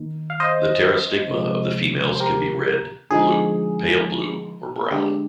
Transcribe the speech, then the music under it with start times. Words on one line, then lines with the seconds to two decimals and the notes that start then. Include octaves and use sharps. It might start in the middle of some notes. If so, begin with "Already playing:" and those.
The pterostigma of the females can be red, blue, pale blue or brown.
Already playing: D#3 A#3 D#4
0.30 F5
0.40 C5 D#5
1.30 C3 F3 G#3
2.15 C5
2.20 G4 A#4
3.11 D3 F3 G#3 D#4 G#4
4.91 D3 G#3 D4 G4